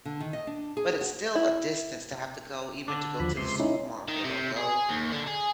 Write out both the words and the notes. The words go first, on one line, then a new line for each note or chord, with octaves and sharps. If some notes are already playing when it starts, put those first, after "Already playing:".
but it's still a distance to have to go even to go to the supermarket or go
D3
D#3
D#5
D4
G#4
F#4
E4
D3 D4
D#2 F3 B5
C#2 C3 C6
C#4 D#4 E4
D#3
C3
G#4
D#2
D3
G#4